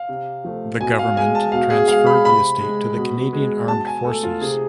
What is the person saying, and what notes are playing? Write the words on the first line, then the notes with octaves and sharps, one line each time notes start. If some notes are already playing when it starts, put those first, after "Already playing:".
The government transferred the estate to the Canadian Armed Forces.
Already playing: F5
C3
F3 A3
B2 G#5
F5
G#3 G#5
A5
B2 F5
G#4
G#3 F5
B5
C3 B5
G#3
B2
G#3
B2 A5
G#5
A3 A4
F4
C3 G#4